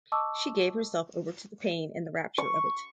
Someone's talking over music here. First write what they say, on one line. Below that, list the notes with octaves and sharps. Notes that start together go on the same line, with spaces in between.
She gave herself over to the pain and the rapture of it.
D#5 A5 C#6 D6 E6
C#6